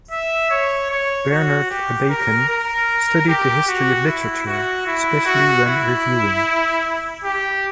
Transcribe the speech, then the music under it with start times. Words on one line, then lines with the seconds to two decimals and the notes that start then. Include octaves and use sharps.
Bernhard Abeken studied the history of literature, specially when reviewing.
0.11 E5
0.50 C#5
0.91 C#5
1.30 F#4
1.70 G4
2.09 A#4
2.48 A#4
3.28 G4
3.68 F#4
4.07 E4
4.47 F#4
4.86 E4
5.25 F#4
5.66 E4
7.24 G4